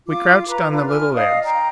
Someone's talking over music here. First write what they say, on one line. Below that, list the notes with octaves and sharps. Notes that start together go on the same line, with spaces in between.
We crouched on the little ledge.
F4 D6
B4 A#5
D4 F4 B4
G#5 F6
D5 D#5 F5 D#6
G5 A#5